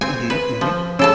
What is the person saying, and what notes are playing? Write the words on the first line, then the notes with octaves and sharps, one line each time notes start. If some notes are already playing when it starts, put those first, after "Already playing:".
Mhm. Mhm.
C4 G#5
B4
F3
C#3 C#4 A4 A5 E6